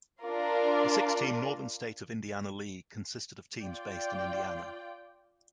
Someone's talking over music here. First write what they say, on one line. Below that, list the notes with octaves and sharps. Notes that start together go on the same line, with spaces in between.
The six–team Northern State of Indiana League consisted of teams based in Indiana.
D4 F4 A#4 D5 F5
F4 D5 G5